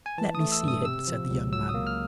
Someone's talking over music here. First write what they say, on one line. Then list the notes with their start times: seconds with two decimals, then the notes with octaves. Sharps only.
"Let me see him," said the young man.
0.06 G#5
0.18 E3 A5
0.35 D#6
0.40 A3
0.52 E6
0.63 G2 D#6
0.85 C3 E6
1.07 F3
1.30 C#2
1.52 F#3 E6
1.69 D#6
1.74 A#3
1.87 F6